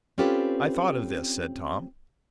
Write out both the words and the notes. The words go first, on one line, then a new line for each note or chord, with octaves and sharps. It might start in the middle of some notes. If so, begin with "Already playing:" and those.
"I thought of this," said Tom.
C4 C#4 F4 G4 A4 B4